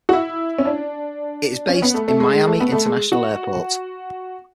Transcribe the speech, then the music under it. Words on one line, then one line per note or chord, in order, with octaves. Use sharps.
It is based in Miami International Airport.
F#4
E4
C#4
D4
C#4
B3
A3
A3
G#3
G#3
A3
B3
A3
G#3
F#4